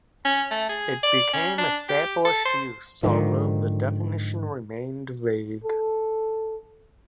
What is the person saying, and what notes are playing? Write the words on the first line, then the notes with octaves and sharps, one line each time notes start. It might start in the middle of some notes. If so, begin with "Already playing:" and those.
It became established use, although the definition remained vague.
C#4
A3
G#4
D5
C#4
D4
G4
A4
C5
G#2 D3 D#3 F3
A4